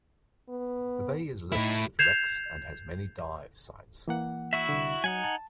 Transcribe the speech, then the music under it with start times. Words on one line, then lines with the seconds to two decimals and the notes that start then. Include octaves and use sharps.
The bay is littered with wrecks and has many dive sites.
0.49 B3
1.52 A2 D#4 E4
1.99 G6 G#6 C7 E7 F7
4.08 E3 A#3 F#5
4.53 E4 F#4 E5
4.69 C2 D3
5.04 F#3 D#4 F#5 G#5
5.24 A5